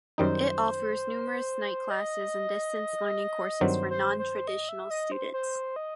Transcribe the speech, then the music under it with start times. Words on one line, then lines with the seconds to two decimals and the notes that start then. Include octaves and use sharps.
It offers numerous night classes and distance learning courses for non-traditional students.
0.18 F#2 D#3 G3 D#4 C5
1.90 D#5
3.61 G2 D#3 F#3 C4 C5
3.90 C5
4.19 C5
4.48 D#5
4.69 E5
4.91 D#5
5.12 C5
5.33 C5
5.76 D#5